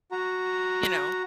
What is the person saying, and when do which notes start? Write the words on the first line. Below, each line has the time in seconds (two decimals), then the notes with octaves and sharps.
you know?
0.12 F#4 A#5